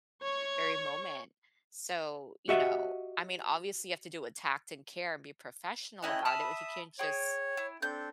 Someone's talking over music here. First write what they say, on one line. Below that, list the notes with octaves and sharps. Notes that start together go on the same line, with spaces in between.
very moment. So, you know, I mean, obviously, you have to do it with tact and care and be professional about it, like, you can't just
C#5 C#6
F#4 G4 D#5 E5 F#5
A3 C#4 E4 D#5 G5 F#6
E5 A5 B5 D#6 F6
G#4 C#5 G5
E4
C4 D4 A4 G6